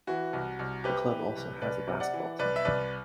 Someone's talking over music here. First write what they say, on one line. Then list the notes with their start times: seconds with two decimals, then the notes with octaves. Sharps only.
The club also has a basketball team.
0.07 E3 F#4
0.33 C2
0.59 C2
0.84 C3 G4 B4
1.10 E3
1.36 C2
1.61 C2 B4 D5
1.87 C3
2.00 D5 F#5
2.14 E3
2.39 C2 B4 D5
2.56 E5
2.65 C2 B4 D5